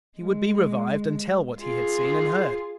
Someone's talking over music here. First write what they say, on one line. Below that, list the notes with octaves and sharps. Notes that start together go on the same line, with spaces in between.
He would be revived and tell what he had seen and heard.
G#3
F4 G#4